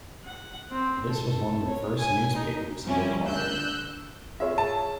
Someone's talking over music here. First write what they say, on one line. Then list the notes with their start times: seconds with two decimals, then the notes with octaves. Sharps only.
This was one of the first newspapers he acquired.
0.24 F#5
0.71 C4
1.08 A4
1.67 C#5
1.99 G#5
2.36 D#4
2.84 F3 G3 C4 C#4 E4
3.26 D3 E6 F#6 G6
4.40 F4 G#4 C#5 E5
4.58 A5